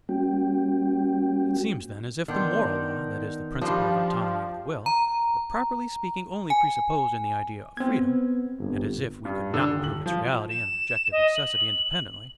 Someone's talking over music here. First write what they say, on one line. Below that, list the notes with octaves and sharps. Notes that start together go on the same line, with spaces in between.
It seems then as if the moral law, that is, the principle of autonomy of the will, were properly speaking only presupposed in the idea of freedom, and as if we could not prove its reality and objective necessity independently.
G3 A#3 C#4 F#4 G5
D#3 B3 D4 C6 G6
F3 G3 D4 F4 G4 F5
A#5
G#5
B3 C4 G#6
G1
G2
D3
D#1
F#7
F3
E7
D#5
F#7